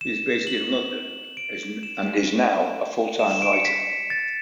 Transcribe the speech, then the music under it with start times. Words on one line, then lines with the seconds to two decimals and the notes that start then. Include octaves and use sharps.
He is based in London and is now a full-time writer.
0.01 E7
0.47 F#7
1.37 D7
1.83 E7
3.19 E7
3.31 E7
3.42 D7
3.53 C#7
3.65 B6
4.10 A6